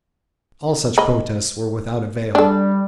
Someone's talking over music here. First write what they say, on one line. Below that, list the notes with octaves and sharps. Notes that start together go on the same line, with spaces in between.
All such protests were without avail.
D#5 B5
G3 D4 A4